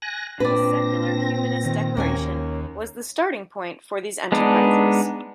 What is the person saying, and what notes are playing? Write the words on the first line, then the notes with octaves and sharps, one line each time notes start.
His Secular Humanist Declaration was the starting point for these enterprises.
G#5 F#6 A#6
A#2 C4 D4 B4 D5 A#6
D#3
D#2 A#3 C#4 G#5
G#3 B3 D4 D#4